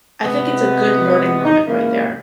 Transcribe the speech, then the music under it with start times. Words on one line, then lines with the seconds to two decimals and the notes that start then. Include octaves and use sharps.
I think it's a good learning moment right there.
0.24 C3 G#3 B3
1.45 D#4
1.67 C#3 E3 G#3 A#3